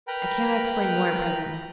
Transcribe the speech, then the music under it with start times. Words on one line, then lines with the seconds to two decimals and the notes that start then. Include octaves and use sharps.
I cannot explain more at present.
0.08 A#4 B4 G5 A#5 B5